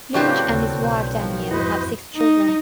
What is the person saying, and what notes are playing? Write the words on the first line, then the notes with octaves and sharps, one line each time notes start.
Lynch and his wife Danielle have six children.
A2 C#3 F#3 C4 G4 B4 D5 C#6
D#2 C#3 A4
B1 C5
D#3 F3 B4
F2 G#2 E4 F#4 B4 C5 D#5
D#4